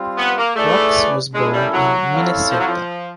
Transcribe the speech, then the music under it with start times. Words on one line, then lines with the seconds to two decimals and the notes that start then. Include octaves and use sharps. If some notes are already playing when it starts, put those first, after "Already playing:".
Roux was born in Minnesota.
Already playing: G3 C4 F4
0.17 B3
0.37 A#3
0.56 A3 E4 G#4 B4 D5
1.34 G#3 A#3 C#4 E4 A4
1.53 G3
1.73 F#3
2.12 C4 E4 A4 C#5 F5
2.50 F3
2.58 F#3
2.67 F3